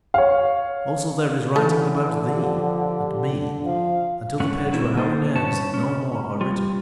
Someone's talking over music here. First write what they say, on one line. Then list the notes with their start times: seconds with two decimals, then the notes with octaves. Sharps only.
Also there is writing about thee and me until the page where our names no more are written.
0.14 C#5 F5
1.56 D3 E3 A3
2.33 F3 G4
3.31 D4
3.65 F3 F5
4.40 G2 D3 A3 C#4 F#5
4.73 A#2 D3 D#3 G3 C4 E4
4.96 A#3 D#4 A4 C5
5.35 G2 C#4 A5
5.74 G#3 C#4
6.41 G3 F4